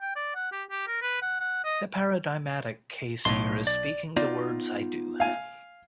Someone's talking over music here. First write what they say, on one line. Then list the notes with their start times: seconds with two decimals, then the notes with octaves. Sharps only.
The paradigmatic case here is speaking the words I do.
0.02 G5
0.16 D5
0.35 F#5
0.52 G4
0.71 G4
0.88 A#4
1.02 B4
1.22 F#5
1.40 F#5
1.65 D#5
3.25 B1 A2 C6
3.67 D5
4.17 B3 D#4 F4 D5
5.20 F5 G#5